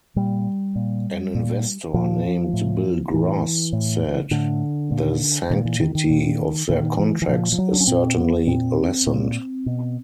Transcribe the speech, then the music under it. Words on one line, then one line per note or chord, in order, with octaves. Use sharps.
An investor named Bill Gross said, The sanctity of their contracts is certainly lessened.
A#2 G3
A#2
A#2
A#2 F3
A2
A2 E3
A2
A2 D3
A#2
A#2 D#3
E3
D#3
D#3
A#2
A#2 D#3
E3
E3
A#2 F3
F3
F#3
D4
C#4
A#2 C4
B3
A#2 C4
A#2
B2